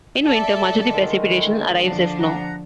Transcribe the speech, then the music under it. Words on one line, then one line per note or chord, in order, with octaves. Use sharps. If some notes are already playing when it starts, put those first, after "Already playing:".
In winter, much of the precipitation arrives as snow.
A4 D5 E5
D3 D#3 G#3
E4
D3 F3 D4
F#5 A#5